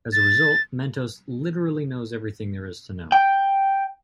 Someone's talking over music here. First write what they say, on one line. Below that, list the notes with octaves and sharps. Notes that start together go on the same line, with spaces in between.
As a result, Mentos literally knows everything there is to know.
A6
G5